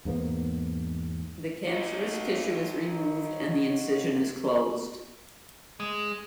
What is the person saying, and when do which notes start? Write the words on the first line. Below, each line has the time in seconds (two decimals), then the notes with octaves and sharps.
The cancerous tissue is removed and the incision is closed.
0.05 E2 G#2 A#3 B3
1.67 D#4 F#4
5.80 G#3